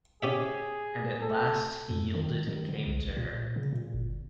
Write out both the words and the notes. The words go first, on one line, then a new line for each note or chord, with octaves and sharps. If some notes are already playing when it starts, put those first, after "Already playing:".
And at last he yielded and came to her.
C#4 G4 G#4 E5
A4
F2
D#3
D#3
D3
C2
A1
A#2
C#3
A#2
G1